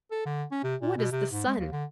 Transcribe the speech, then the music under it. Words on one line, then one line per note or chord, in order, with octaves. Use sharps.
What is the sun?
A4
D3
C#4
C3
A#2
B2
C3
G#2
G#3
D#2
D3